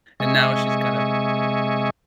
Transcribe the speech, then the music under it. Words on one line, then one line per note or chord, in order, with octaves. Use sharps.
and now she's kind of
C3 G#3 D#5 E5 G#5 C#6